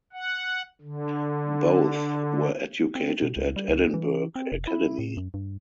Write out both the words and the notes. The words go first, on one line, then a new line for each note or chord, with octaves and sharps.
Both were educated at Edinburgh Academy.
F#5
D3
C4
B2
C#2
G3
C#2
E3
C4
F1
E4
A2
F#2
G2